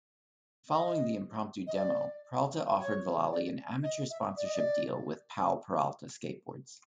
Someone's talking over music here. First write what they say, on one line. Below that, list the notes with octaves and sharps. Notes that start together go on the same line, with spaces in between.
Following the impromptu demo, Peralta offered Vallely an amateur sponsorship deal with Powell-Peralta Skateboards.
D#5
D#5
D5
C#5
D5
D#5
E5
D5
D#5
D5